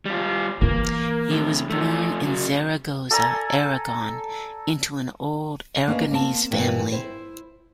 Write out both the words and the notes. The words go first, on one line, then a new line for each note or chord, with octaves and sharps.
He was born in Zaragoza, Aragon, into an old Aragonese family.
G3 F4
E3 A#3 F4
A2 D3
F3 A3
C#3 F#3
A4 D5 G#5 A#5
A#3 C#4 D4 B4 D#5
A#3 C4 A5
G2 A#2 E3 G4 F#5
E4 C5